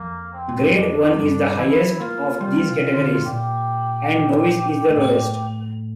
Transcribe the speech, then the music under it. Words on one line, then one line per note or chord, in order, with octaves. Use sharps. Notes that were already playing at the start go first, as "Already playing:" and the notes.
Grade One is the highest of these categories, and Novice is the lowest.
Already playing: F2 A#3
C4
A#2
A2
G2
F2 D4
G2
E3 E4
A#3 F4
G3 F4
C3
D3
A2
A#2 G4
A2